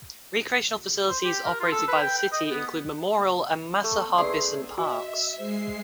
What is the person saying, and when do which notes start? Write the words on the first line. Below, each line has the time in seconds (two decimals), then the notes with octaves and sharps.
Recreational facilities operated by the city include Memorial and Masa Harbison parks.
1.09 C5
1.24 G4
1.45 A#4
1.60 F4
1.72 A4
1.88 B4
2.01 G5
2.18 G5
2.32 D#5
2.51 B3
3.84 A3
4.18 E4 G#4 B4 D5 C6
4.78 F#4 D#5 E5
5.38 G#3 C5 C7